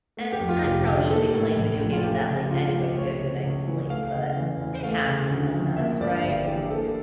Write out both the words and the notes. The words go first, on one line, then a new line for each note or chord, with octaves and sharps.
and I'm probably shouldn't be playing video games that late anyway to get a good night's sleep, but it happens sometimes, right? Mm.
A3
G4
F2
F4
F1 G4
D3 G4
A#3 A4
A2
A1
F3
F4
A3 G4
C#3
C#2 F4
F3 G4
A3 C#5
C#3
C#2
E3
A3 F5
C#3
E2
E3
A3 F5
C#3
D2
F3
A#3 E5
G2 D5
G1 G4
E3 G4
A#3 A4